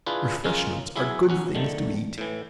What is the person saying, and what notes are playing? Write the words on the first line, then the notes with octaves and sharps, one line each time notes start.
"Refreshments are good things to eat!"
D4 E4 F4 G#4 B4
C#3 G#3 C#4 F4 A#4
F#3 E4 G#4 E5
B1 C#4 F#5
D3 D#3 A3
A2 E3